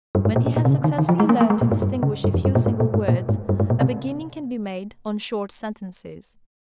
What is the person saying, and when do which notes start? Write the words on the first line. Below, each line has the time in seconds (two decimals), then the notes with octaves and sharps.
When he has successfully learned to distinguish a few single words, a beginning can be made on short sentences.
0.15 G2
0.25 G#2
0.36 A#2
0.46 A#2
0.56 A#2
0.65 C3
0.70 C#3
0.84 D#3
0.98 D#3
1.09 F3
1.20 G#3
1.29 A#3
1.41 A#3
1.50 G#3
1.61 A#2
1.71 G#2
1.82 G2
2.03 C#3
2.24 G2
2.34 F2
2.45 G2
2.55 A#2
2.66 G#2
2.80 A#2
2.94 G#2
3.08 A#2
3.29 G#2
3.49 G2
3.60 G#2
3.70 A#2
3.81 C3